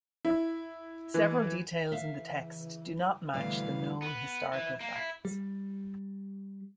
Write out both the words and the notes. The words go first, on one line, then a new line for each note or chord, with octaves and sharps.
Several details in the text do not match the known historical facts.
E4
E3
C#3 E3 E5 F5
G1 D2 G2 B2 E3 G3 F5
B3
E3
A#3
E4
G3